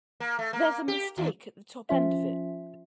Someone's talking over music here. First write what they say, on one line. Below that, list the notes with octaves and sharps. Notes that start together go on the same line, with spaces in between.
There's a mistake at the top end of it.
A#3
A3
A#3
G4
D#2
F3 C#4 F4 E5